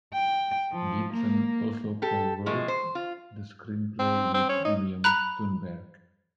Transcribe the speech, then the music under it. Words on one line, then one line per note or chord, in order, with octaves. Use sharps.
Gipson also cowrote the screenplay with William Tunberg.
G5
F3
A#3
G4 A4
A2 F3 G#3
C5
F4
C4
C4
C#4
D#4
A#5 B5 F#6